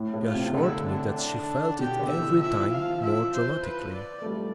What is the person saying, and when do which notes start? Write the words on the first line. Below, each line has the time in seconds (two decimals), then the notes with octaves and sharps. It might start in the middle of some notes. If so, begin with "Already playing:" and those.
She assured me that she felt it every time more dramatically.
Already playing: A2
0.14 A2
0.24 F4
0.34 C3
0.47 C3
0.54 D3 E4
0.86 D4
1.17 D4
1.79 B2 G4
1.99 D3
2.09 E5
2.20 E3
2.40 F3 E5
2.61 E3
2.71 F5
2.81 F3
2.93 E3
3.02 F3 E5
3.33 C5
3.64 B4
3.94 D5
4.22 A3
4.26 G3